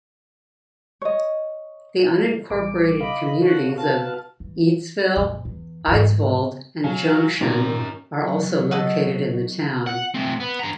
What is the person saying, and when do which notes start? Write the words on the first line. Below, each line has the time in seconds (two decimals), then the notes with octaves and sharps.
The unincorporated communities of Eadsville, Eidsvold, and Junction are also located in the town.
1.02 C#5 D#5
2.50 A1 G3 D6
3.01 D#5 F5 B5
3.42 F4 F#4 A4 C#5
3.78 F#4 B4 F5 A5
4.40 E3
5.16 F2 A#2
5.45 E2
5.87 E2 G#2
6.84 F#3 F5 G#5
7.41 A#2 D#3 C#4 G4 A#4 A#5
8.17 F#3
8.71 A4 D#5 F#5
9.87 F#5
10.14 A3 C4
10.40 B3
10.60 G2 A#5